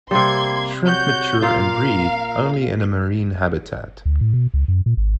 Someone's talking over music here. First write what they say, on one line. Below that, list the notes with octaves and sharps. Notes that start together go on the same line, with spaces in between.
Shrimp mature and breed only in a marine habitat.
C3 G3 A#3 C6 G#6
F#4 C#5 F#6 G6
A#2 F4 A#4 F5
D2
A2
B2
C#2
F#2
A#2
G#1